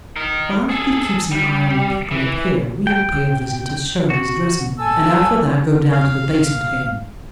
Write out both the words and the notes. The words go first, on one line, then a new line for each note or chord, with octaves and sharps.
While he keeps an eye on the people up here we'll pay a visit to Shirley's dressing room, and after that go down to the basement again.
D#4 A#4
G#4 A4
G3
E3
G5
F#4
A4 G#5 A5 E6
F5